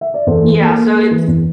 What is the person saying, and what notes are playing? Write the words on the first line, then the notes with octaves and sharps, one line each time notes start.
Yeah, so it's
E5
D5
E2 A4 C5
E3
A#3
A#3
A#3
E3
E2